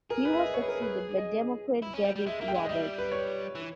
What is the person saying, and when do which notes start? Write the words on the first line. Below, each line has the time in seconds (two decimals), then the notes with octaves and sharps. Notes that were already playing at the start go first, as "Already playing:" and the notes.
He was succeeded by Democrat David Roberts.
0.10 G#4 A#4
0.25 B4
0.33 E5
0.39 D#5
0.54 C#5
0.62 B4
0.68 A#4
0.82 B4
1.18 D#5
1.82 E4
1.93 C#4
2.04 G3
2.16 G3
2.26 G#3 E5
2.40 A#3 E5
2.48 G5
2.54 G#3
2.65 D#5
2.69 G3 E5
2.98 B4
3.12 C#5
3.55 E3